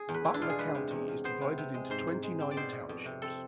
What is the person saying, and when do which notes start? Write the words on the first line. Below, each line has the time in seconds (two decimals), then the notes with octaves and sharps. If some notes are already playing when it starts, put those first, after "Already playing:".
Butler County is divided into twenty-nine townships.
Already playing: G#4
0.09 E2
0.14 B4
0.24 E2 E4
0.34 D4
0.42 B2 F4
0.50 G#4
0.59 G#3 B4
0.75 C3
0.91 E2
1.08 E2
1.24 B3 C5
1.41 C3
1.58 C3
1.74 G#3
1.90 G#2 C5
2.07 G#2
2.23 G#3
2.41 C4
2.51 D5
2.57 B2 C5
2.72 B2
2.89 F2
3.06 C3
3.22 C4 A4